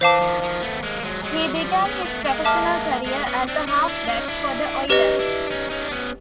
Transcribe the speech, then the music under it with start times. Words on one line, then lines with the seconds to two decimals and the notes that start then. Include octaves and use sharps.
He began his professional career as a halfback for the Oilers.
0.01 E3 C5 F5 A5 D6
0.21 D#3 F3
0.42 D#3 F3
0.63 A3 B3
0.83 G#3 A#3
1.03 F#3 G#3
1.23 F#3 G#3
1.54 F3 G3
1.85 B3 C#4
2.05 A3 B3
2.24 G#3 A#3
2.45 E5 A5 D6 F6
3.06 G#3 A#3
3.26 B3 C#4
3.47 C4 D4
3.67 C#4 D#4
3.88 D4 E4
4.08 C#4 D#4
4.28 D4 E4
4.89 C#4 D#4 G4 B4 D#5
5.19 D4 E4
5.50 C#4 D#4
5.70 C#4 D#4
5.82 D4
5.91 B3 C#4